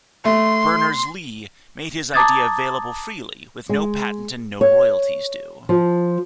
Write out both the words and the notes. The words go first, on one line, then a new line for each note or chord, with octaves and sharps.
Berners-Lee made his idea available freely, with no patent and no royalties due.
A3 C6
A5 A#5 D6 D#6 G#6 A6
G#3
C#5
F3